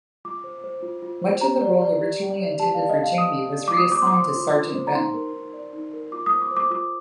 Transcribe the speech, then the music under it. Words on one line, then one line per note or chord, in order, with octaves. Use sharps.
Much of the role originally intended for Jamie was reassigned to Sergeant Benton.
F4 D6
C5
C5
F4
F4
C5
G4 A#5
D5
D5
G4
G4
D5
G4 A5
D5 F5
D#5
D5 F5
G4 D#6
G4
D5
D6
F4 D#6
C5 D6
C6
D6
C5 C6
F4
F4
C5
A#5
D#4 C6
A#4
D#4
D5
D#4
A#4
F4 D6
D#6
C5
D6
C5
D6
F4 D6